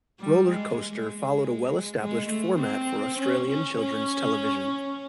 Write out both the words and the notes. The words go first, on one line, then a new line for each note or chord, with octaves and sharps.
"Rollercoaster" followed a well-established format for Australian children's television.
G3
G#3
G#3
G#3
A3
C4
C#4
C#4
C#4